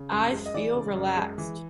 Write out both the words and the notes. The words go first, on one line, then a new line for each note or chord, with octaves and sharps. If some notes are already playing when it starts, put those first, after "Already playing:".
I feel relaxed.
Already playing: C#3
F#2 C6
G#3
D#5
E3 D5
C#3
F#2
G#3
E3